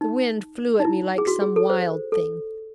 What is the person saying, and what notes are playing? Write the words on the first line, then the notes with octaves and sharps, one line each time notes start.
The wind flew at me like some wild thing.
D#4
D#4
E4
G#4
F#4
G#4
A4
C5
A4